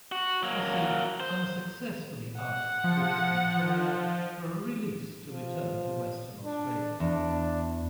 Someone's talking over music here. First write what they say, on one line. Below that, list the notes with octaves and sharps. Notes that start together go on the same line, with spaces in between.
Hussey unsuccessfully asked Cricket Victoria for a release to return to Western Australia.
F#4
F#3 A#3
C5
F#5
F3
F3
D4
E2 D4